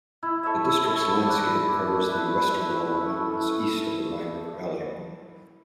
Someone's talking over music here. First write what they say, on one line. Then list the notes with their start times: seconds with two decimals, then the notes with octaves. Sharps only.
The districts landscape covers the Westerwald mountains, east of the Rhine river valley.
0.23 E4
0.43 A4 C#5 E5
0.64 E4
0.85 A4 C#5 E5
1.06 E4
1.26 B4 D5
1.47 E4
1.68 B4 D5
1.87 A3
2.09 E4 B4 E5
2.28 A3
2.49 E4 B4 E5
2.70 A3
2.90 C#4 E4 A4
3.11 A3
3.31 C#4 E4 A4
3.52 E4